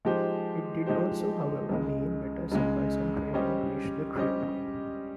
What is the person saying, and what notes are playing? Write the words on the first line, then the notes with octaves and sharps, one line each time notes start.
It did also, however, mean better supplies and training reached the crew.
F3 G#3 D#4 G4 C5
F3 G#3 D#4 G4 C5
C#2 C#3 G#3
C#2 C#3 G#3
G3 C#4 G4 C5 D#5
G3 C#4 G4 C5 D#5